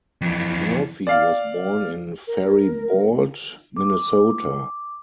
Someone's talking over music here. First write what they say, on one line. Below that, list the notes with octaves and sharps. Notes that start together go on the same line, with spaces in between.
Murphy was born in Faribault, Minnesota.
F2 E3
D5 F5
A#4
D6